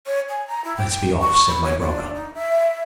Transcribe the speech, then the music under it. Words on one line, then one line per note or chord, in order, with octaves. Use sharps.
Let us be off,' said my brother.
C#5
G#5
A#5
E4
G5
C#6
B5
C#5
D4
D#4
E5